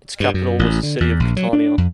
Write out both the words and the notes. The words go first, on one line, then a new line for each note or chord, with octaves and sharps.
Its capital was the city of Catania.
G2
F#2
A1
D3
E2
A#1
F#3
D4
F2